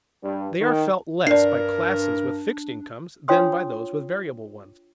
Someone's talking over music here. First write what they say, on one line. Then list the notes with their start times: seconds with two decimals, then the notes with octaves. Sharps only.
They are felt less by classes with fixed incomes than by those with variable ones.
0.23 G2
0.60 D#3
1.27 G2 D4 A#4 D5 C7
3.28 D4 F4 C#5 G5 C6 D#6